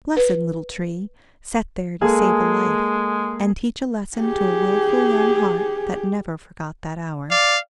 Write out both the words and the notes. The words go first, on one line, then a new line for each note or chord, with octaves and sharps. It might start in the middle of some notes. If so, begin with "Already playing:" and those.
Blessed little tree! set there to save a life, and teach a lesson to a wilful young heart that never forgot that hour.
B4
G#3 A#3 G#4 A4
G4 G#4
D5 F5